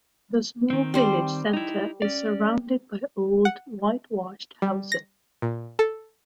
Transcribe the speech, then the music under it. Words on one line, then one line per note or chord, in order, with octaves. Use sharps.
The small village center is surrounded by old whitewashed houses.
D#3 C4
G3 C5
D#4 E4
C#4 D5
F#5
G3
A#6
A#2
A4